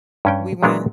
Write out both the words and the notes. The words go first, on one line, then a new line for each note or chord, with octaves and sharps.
We went
G2 C#4 G5
A#2 F#3 G#3 B3 D4 A#4